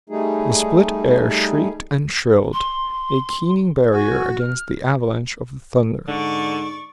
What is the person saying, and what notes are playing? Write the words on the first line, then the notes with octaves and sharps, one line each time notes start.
The split air shrieked and shrilled, a keening barrier against the avalanche of the thunder.
G3 A3 D#4 G#4
C6
F#4 G#5
F6
G#2 D3 D5 C#6